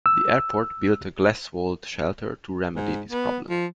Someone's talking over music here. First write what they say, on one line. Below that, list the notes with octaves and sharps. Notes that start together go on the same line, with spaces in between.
The airport built a glass-walled shelter to remedy this problem.
E6
G#2
B3
F3